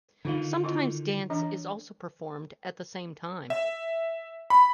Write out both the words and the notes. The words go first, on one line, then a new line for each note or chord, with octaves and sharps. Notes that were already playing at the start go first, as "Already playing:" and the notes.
Sometimes dance is also performed at the same time.
D3 D#3 D#4 F4 F5
E4 F4 D#5
E3 D4 D#5
E5
B5